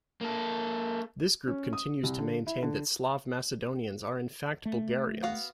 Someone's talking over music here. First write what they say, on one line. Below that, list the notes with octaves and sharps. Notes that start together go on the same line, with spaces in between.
This group continues to maintain that Slav Macedonians are in fact Bulgarians.
A#3 A4
C#4
D#6
C2
D3
E4
D3
A3
B3 F#4 F5